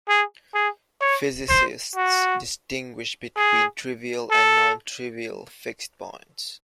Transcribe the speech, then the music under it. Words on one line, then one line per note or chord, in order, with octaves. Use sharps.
Physicists distinguish between trivial and nontrivial fixed points.
G#4
G#4
C#5
C5
F#4
G#4
A4